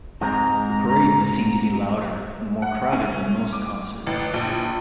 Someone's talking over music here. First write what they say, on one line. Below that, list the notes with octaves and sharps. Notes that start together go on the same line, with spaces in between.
The parade was seen to be louder and more crowded than most concerts.
G#2 G#3 C4 A#5
F#5
C#4
D6
A1
A#1